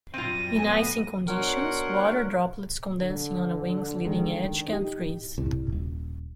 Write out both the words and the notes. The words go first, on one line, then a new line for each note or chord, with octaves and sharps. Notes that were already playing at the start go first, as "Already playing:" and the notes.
In icing conditions, water droplets condensing on a wing's leading edge can freeze.
F#2 G3 C4 F4 A#6 D#7
B3 G#5 A5
B2 D4 A#4 C#5 F#5 C6
D3
D#3 G#3
D#4 G4
C2
D#1